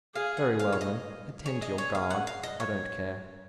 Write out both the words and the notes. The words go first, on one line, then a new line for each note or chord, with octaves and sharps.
"Very well, then, attend to your guard; I don't care."
G#4 F5
F#5
F5
C#5
D#5
G#4 C#5
D#5
C#5
F5
F#5
F5
D#5
C#5